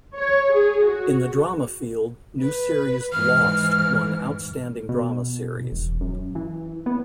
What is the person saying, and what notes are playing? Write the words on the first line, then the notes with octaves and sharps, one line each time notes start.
In the drama field, new series "Lost" won Outstanding Drama Series.
C#5
G#4
F#4
B4
G#2 E3 F6
B2
E1
F#2
E3
B3